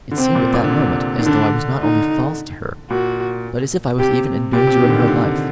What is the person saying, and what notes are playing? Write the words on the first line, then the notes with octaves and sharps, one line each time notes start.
It seemed at that moment as though I was not only false to her, but as if I was even endangering her life.
D3
C3 C4
A#2
A#2
D3
C3
D#3
D3 D4
D#4
A#2 F#4
C3 G4
A#2 G4
C3
D#3
D3
D#3
D3